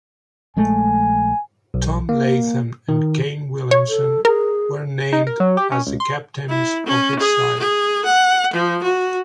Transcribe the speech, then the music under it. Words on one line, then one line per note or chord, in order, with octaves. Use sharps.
Tom Latham and Kane Williamson were named as the captains of each side.
A#1 G#3 A3 G#5
B1
A#3
D#3
C#5
A4
G#4 A#4
D#4
A#4
F#3
G4
C#4
C#2
C6
E4
C#4
G#4
G#4
F#5
F3
F#4